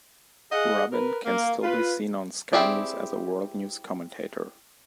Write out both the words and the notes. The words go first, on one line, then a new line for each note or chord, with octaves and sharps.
Rubin can still be seen on Sky News as a World News Commentator.
G#4 D#5 F5 F#5
A#4 B4
A#3
F4 B4
C4 E4 G4 G#4 D5